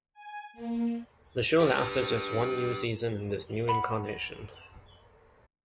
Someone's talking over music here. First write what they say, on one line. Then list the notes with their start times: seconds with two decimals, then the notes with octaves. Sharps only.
The show lasted just one season in this new incarnation.
0.13 G#5
0.53 A#3
1.60 G4 B4
3.68 F#5 B5